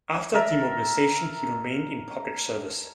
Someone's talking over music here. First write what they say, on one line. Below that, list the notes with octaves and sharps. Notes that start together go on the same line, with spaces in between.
After demobilization he remained in public service.
A4 A#4 E5